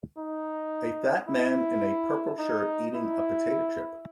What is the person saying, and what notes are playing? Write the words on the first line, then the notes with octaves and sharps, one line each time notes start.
A fat man in a purple shirt eating a potato chip.
D#4
E4
D#4
E4